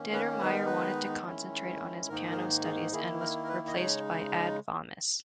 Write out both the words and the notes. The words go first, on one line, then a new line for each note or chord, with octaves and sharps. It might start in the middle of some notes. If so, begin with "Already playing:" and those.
Determeijer wanted to concentrate on his piano studies and was replaced by Ad Wammes.
Already playing: D#3 A#3 C#4
B4
D#3 G#3 B3 D#4 B4
A#4
B4
D#3 G#3 C#4 E4
G#2 D#3 A#3 D#4 A#4
A#4
G#4
G#4
D#3 A#3 E4 G#4
A#4
A#4
B4
D#5
C#3 G#3 D#4 C#5